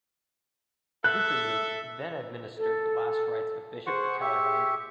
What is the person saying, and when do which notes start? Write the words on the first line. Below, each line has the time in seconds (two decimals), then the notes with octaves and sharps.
Dupanloup then administered the last rites of a bishop to Talleyrand.
1.04 A4 E5 F#6
2.57 A4
3.87 G#4 C5 F#5 C#6
4.21 G4 E5 C#6